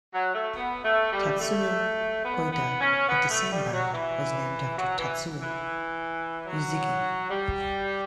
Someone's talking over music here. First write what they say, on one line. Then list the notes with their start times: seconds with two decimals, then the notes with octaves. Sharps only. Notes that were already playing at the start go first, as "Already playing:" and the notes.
Tatsuya Ueda, of the same band, was named after Tatsuya Uesugi.
0.14 F#3
0.34 A3
0.56 B3
0.84 A3
1.12 G3
1.40 A3
2.24 B3
2.52 B3
2.81 C#4
3.08 B3
3.29 A3
3.51 G3
3.72 F#3
3.93 E3
4.78 F#3
4.98 E3
5.41 E3
6.47 F#3
7.30 G3